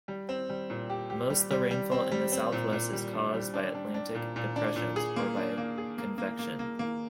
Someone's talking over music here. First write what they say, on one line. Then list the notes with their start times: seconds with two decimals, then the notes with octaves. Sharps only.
Most the rainfall in the south-west is caused by Atlantic depressions or by convection.
0.08 G3
0.29 C4
0.49 G3
0.70 A#2
0.90 G4
1.10 G4
1.30 G3
1.51 G3
1.71 G3
1.91 C4
2.11 G3
2.32 C4
2.52 A#2
2.73 A#2
2.93 G3
3.13 D4
3.34 G3
3.54 D4
3.75 D4
3.94 D4
4.15 A#2
4.36 A#2
4.56 D4
4.76 A#2
4.96 G#4
5.16 A#3
5.37 D4
5.58 A#3
5.78 G#4
5.98 A#3
6.18 A#3
6.39 A#3
6.59 A#3
6.79 A#3